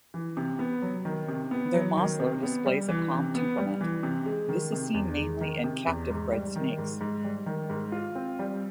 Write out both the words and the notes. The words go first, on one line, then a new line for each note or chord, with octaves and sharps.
Though Mozler displays a calm temperament, this is seen mainly in captive bred snakes.
E3
C3
B3
F#3
D#3
C3
B3
F#3
D#3
C3
B3
G3
E3
C3
B3
G3
E3
C3
G#3
D#3
C3
E2
G#3
D#3
C3
E2
G#2
G3
D#3
G#2
G#2
G3
D#3
G#2
F4
C4
G3